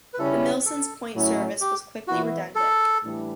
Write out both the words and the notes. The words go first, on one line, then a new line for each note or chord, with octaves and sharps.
The Milsons Point service was quickly redundant.
B4
C#3 G3 C#4 E4 A4
A4
A2 F#3 C#4 E4
G4
E3 B3 E4 F#4
A4
A2 E3 G3 D4